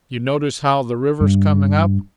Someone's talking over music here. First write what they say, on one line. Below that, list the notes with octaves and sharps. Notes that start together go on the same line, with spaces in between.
Yuh notice how the river's coming up?
G2